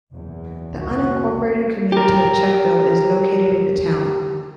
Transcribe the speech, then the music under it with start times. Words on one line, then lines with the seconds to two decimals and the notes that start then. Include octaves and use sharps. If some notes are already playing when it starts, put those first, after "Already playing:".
The unincorporated community of Czechville is located in the town.
0.13 F#1 E2
0.77 F1 C#2 A#3 F#4
1.92 G4 A#4